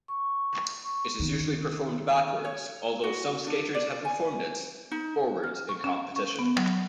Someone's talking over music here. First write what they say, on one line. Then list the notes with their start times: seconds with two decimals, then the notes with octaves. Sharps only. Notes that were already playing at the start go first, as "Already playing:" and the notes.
It is usually performed backwards, although some skaters have performed it forwards in competition.
0.08 C#6
0.84 C#6
1.20 D#3
2.45 C#5
3.04 F#4
3.47 D4
3.75 D5
4.05 G#5
4.91 D#4
5.44 F6
5.69 C#6
5.84 C#4
6.16 C#6
6.39 B3
6.57 F#3